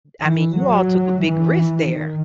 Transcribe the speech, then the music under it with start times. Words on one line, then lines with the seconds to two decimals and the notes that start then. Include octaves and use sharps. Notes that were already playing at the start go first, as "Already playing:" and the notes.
I mean, you all took a big risk there.
0.23 E3
0.57 F#3
1.24 E3
1.90 D#3